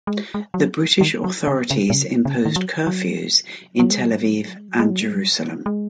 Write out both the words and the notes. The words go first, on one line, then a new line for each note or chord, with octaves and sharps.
The British authorities imposed curfews in Tel Aviv and Jerusalem.
G#3
G#3
F#3
D#3
F#3
C#3
C#3
A#2
C#3
C#3
D#3
F#3
F#3
F#3
G#3
F#3
G#3
F#3
G#3
F#3
G#3
F#3
G#3
F#3
G#3
F#3
G#3